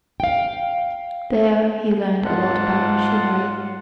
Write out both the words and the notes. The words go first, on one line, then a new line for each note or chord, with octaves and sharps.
There he learned a lot about machinery.
F5 G5
G#2 F4 F#5 A5